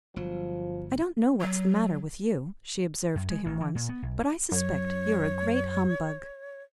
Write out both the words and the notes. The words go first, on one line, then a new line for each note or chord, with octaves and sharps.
"I don't know what's the matter with you," she observed to him once; "but I suspect you're a great humbug."
G1 F3 F#3
F#3
F#2
G#3
A1
E3
A#2
B3
B1
F#2 C#5